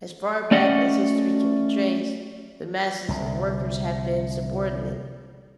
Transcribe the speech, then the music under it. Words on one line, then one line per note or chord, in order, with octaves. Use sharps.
As far back as history can be traced, the masses of workers have been subordinate.
A3 C#4 D5 D#5 F#5
C2 D3